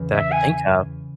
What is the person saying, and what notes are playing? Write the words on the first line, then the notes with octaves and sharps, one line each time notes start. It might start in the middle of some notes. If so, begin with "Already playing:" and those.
that I can think of.
Already playing: E2 C#3 E3
E5
G#5